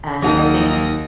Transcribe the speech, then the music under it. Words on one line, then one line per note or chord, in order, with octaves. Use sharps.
and I think
D#2 F#3 D#4 G#4 A#4 F#5 A5 D#6